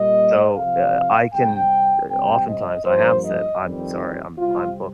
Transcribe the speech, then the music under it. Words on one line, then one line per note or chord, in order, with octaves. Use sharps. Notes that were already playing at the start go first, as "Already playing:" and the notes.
So, uh, I can uh, oftentimes, I have said, "I'm sorry. I'm I'm booked
Already playing: A#2 G3 A#3 D#5
C3 F3 C4 F5
C3 G3 C4 G5
C3 G3 C4 G5
D#5
G2 F3 A#3 C5
D#5
F2 D#3 G3 C4
C3 G3 C4 F4